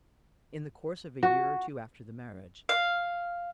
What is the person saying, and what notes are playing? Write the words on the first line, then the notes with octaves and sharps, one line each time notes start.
"In the course of a year or two after the marriage."
F#4
F5